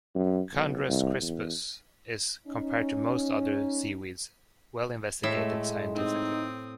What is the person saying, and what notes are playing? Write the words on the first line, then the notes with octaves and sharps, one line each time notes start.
"Chondrus crispus" is, compared to most other seaweeds, well-investigated scientifically.
F#2
B1
C2
E2
C#4 D#4
A2 G#3 A3 E5
C4 D#4 D#6